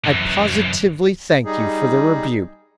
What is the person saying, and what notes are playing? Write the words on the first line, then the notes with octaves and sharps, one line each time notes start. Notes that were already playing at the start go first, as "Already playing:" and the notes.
I positively thank you for the rebuke.
F#2 E3
G3 D#4 G#4